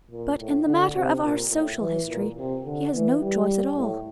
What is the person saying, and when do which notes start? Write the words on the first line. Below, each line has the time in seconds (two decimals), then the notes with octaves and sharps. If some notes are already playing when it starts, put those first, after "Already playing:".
But in the matter of our Social History he has no choice at all.
0.11 A#2
0.38 A2
0.67 D3
0.95 C3
1.23 A#2
1.51 A2
1.80 E3
2.08 A#2
2.36 C3
2.65 D3
2.93 E3
3.21 G3
3.76 A2